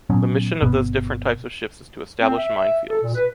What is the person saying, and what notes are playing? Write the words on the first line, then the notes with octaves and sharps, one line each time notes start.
The mission of those different types of ships is to establish minefields.
A#2 F#3 B3 C#4
G1 B2 B3
C4
E5
E5
A4
A#2
B4